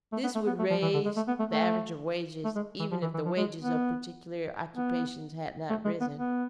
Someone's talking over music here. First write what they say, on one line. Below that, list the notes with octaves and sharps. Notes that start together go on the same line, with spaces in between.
This would raise the average of wages even if the wages of particular occupations had not risen.
A3
B3
A3
B3
A3
F3
E3
D3
G#3
A3
B3
A3
A3
A3
G#3
E3
F3
E3
E3
F3
G#3
B3
B3
A3
G#3
B3
B3